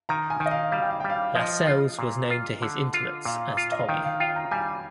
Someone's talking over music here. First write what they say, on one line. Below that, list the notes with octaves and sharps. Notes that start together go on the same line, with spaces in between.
Lascelles was known to his intimates as "Tommy".
D#3 A#5
G#5
D#3
D#5
F5
G3 F5
G5
F5
G3 G5
F5
F3 D#5
F4
A#2
F4
D3
F4
A#2 F5
F4
D#5
F5
D#3 G5
F5
F4 G5
A#5
G3 G#5